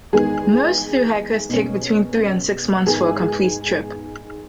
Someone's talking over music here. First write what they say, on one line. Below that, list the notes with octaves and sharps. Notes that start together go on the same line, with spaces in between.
Most through-hikers take between three and six months for a complete trip.
E2 D#3 G#3 B3 G#4
B2 A#3 C#4
G#2 D#3 G#3 B3 G#4